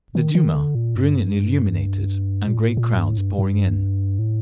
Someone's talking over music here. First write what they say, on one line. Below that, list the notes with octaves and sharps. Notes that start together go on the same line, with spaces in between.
The Duma brilliantly illuminated and great crowds pouring in.
D#3
D#3
D3
A#2
G2
A#2
A2
A#2
G2
A2
G2
G2
A2